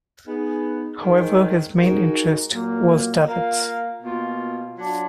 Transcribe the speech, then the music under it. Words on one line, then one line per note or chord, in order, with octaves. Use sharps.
However, his main interest was davits.
B3 D#4 G#4
D#3 G#3 D#4
G#3 D#4 F#4 A#4
A#2 F#3 A#3
A#3 F4 A#4 F5
B2 A#3 F4
F#3 D4 F4